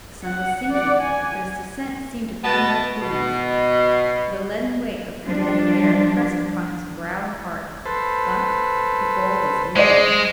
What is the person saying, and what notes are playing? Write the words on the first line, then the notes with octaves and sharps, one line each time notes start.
The sun was sinking, but its descent seemed to bring no coolness; the leaden weight of the dead air pressed upon his brow and heart, but the goal was near.
F#5
D5 F#5
G#5
B2 B3 A5
B2
F3 G3 D4
A4 B4 C5
G#3 C5 D5 D#5